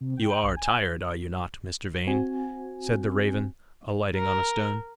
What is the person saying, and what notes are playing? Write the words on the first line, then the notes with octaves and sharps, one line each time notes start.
"You are tired, are you not, Mr. Vane?" said the raven, alighting on a stone.
C3
G5
A#1
G#5
C4 F#4 G#5
A#4